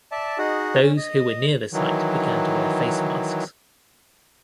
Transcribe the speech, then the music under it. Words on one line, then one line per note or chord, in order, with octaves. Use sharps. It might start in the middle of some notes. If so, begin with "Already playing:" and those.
Those who were near the site began to wear face masks.
D5 E5 A5
D#4 F#4 G#4 D#5 F#5
C#4
D#5
D#3 E3 F#3